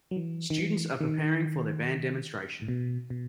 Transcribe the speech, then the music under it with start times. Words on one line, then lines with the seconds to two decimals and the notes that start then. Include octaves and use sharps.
Students are preparing for their band demonstration.
0.11 F#3
0.16 E3
0.50 D#3
0.59 E3
1.01 D#3
2.62 A2
2.68 B2
3.10 B2